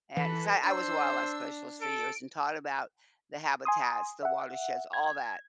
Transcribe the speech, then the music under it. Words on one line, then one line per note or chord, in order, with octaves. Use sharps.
and 'cause I I was a wildlife specialist for years and taught about the habitats, the watersheds, all that.
E3 A4 B5
D4 C5 E6
A4 D7
G#5 C6 D#6
E5 F#5
G#6